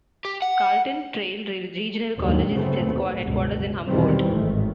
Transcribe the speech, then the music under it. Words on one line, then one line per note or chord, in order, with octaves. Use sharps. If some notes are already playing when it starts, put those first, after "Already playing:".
Carlton Trail Regional College has its headquarters in Humboldt.
G4
F#5
D#2 G#2 D3 D#3 F#3 G3
G1 C#3 F#3 A3 B3 C4
D#2 B2
G1 C#2 B2
B1 E2 D#3 E3 G3 C4
G#1 A2 D#3 A3